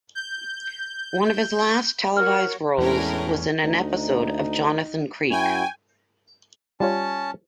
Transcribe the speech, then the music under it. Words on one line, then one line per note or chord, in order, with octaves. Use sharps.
One of his last televised roles was in an episode of "Jonathan Creek".
G6
F#4 A#4 C#5 F6
E2 A2 G#3 C#4 D4 A#4 B4
D2 D#4
F#2 E4 F#4 G5 G#5
G3 C#4 F4 C#5 A5